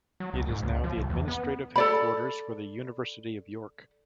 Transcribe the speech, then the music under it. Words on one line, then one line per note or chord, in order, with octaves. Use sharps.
It is now the administrative headquarters for the University of York.
F#3
C#2
G#2
C#2
F3
C2
E2
B3
A4 D5 B5